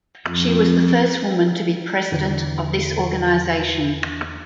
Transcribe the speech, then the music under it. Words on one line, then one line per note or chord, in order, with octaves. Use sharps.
She was the first woman to be president of this organization.
F2
E2 D3 E3